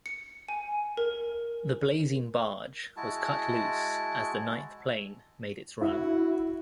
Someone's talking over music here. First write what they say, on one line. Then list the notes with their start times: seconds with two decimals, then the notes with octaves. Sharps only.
The blazing barge was cut loose as the ninth plane made its run.
0.06 C#7
0.48 G#5
0.97 A#4
2.96 G#3 E4 F#4 A5
5.81 E4 F#4